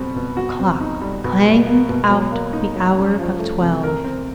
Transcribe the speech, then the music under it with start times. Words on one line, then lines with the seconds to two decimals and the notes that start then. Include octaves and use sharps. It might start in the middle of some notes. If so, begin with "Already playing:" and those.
The clock clanged out the hour of twelve.
Already playing: B2 G3 C4
0.16 B2
0.37 F#4
0.59 C4
0.81 D#4
1.02 G3
1.24 B2
1.45 G3
1.67 A#3
1.89 B2
2.10 F#3
2.32 A#3
2.53 D#4
2.75 F#3
2.96 C#4
3.19 F3
3.39 A3
3.61 C3
3.83 A#4
4.04 C4